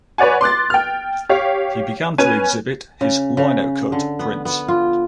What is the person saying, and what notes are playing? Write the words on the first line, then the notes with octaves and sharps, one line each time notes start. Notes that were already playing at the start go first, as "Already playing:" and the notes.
He began to exhibit his linocut prints.
B4 C#5 D5 F#5 G#5
C6 D6 F#6 A6
G5 F6
G4 C#5 F5
C#4 B4 G#5 D#7
C#3
C#3
D3
B3
B3
F4